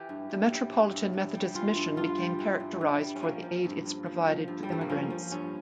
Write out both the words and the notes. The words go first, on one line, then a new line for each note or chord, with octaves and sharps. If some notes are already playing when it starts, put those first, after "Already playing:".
The Metropolitan Methodist Mission became characterized for the aid its provided to immigrants.
Already playing: E3 G4
G2
G2
G3
E3
G2
G2
G3
E3 F4
G2
G2 F4
G3
E3
G2
G2
G3
C#4
F3 A#3
F3
G2
G2
F3
F3
G2
G3
G2 A3
A#3
F3 C#4
F3
G2 C#4